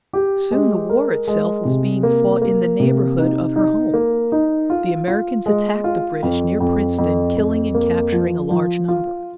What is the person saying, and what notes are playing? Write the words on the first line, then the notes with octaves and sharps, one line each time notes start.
Soon the war itself was being fought in the neighborhood of her home. The Americans attacked the British near Princeton killing and capturing a large number.
G4
G#3
A#4
G#3
C3
A#3
A#3
C3
D#4
D#4
A#3
D#4
F4
F4
G#3
F4
F2
F2
F2
F2
A#3
F3
F3
F4